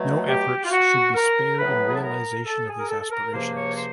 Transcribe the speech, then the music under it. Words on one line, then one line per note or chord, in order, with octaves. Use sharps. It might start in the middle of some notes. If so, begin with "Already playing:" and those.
No efforts should be spared in realization of these aspirations.
Already playing: B2 F#3 A3
G4
F4
F#4
A#4
A2 F#3 B3 B4
G#4
A4
A#4
A4
G#4
A#4
A4
A4
A#4
C#2 C3 F3 A#3 C5
C#5
C5